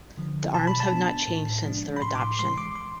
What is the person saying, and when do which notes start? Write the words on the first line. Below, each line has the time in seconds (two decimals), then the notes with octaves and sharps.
The arms have not changed since their adoption.
0.18 D3 F3
0.54 B2 A5
0.67 B5
0.80 A5
0.91 B3 D4
1.28 A2
1.65 F3 G#3 D4
1.97 B5
2.02 A2 C6
2.15 D6
2.21 C6
2.39 E3 G#3 C6
2.58 D6
2.76 C6